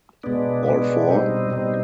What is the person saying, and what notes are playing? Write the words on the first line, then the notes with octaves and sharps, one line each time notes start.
All four?
B2 G#3 B3 D4
B2 G#3 B3 D4
B2 G3 C4 D#4
B2 G3 C4 D#4